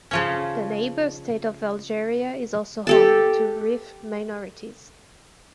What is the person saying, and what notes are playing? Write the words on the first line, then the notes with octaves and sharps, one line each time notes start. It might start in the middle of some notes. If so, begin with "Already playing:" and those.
The neighbour state of Algeria is also home to Rif minorities.
C#3 F3 C#4
G4 A4 A5